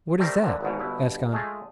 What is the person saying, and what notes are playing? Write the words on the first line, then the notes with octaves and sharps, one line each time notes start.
"What is that?" asked Andrea.
G3 A3 C4 A#4
F2 A#2 D3
G#1 E2 G#2 B2
G1 B2 E4
G#3 A3 F4 G#4